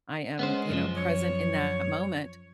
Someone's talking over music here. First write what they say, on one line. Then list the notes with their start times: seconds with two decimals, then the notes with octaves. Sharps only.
I am, you know, present in that moment
0.39 G#3 B3 C#4 C5
0.69 F#2 F3
0.97 C#5